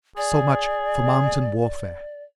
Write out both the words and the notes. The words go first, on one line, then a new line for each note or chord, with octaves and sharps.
So much for mountain warfare.
G#4 D5